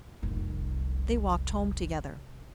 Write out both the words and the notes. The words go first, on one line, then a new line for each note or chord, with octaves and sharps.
They walked home together.
F1 C2